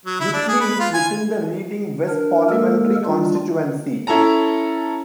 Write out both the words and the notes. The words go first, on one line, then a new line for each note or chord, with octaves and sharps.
Whitley is within the Reading West parliamentary constituency.
F#3
E4
D4
G#4
B4
F4
G#5
D4 A#4
G#3 A#3 A4 A#4
G3 D4 F4
C#4 E4 A4 A5 A#5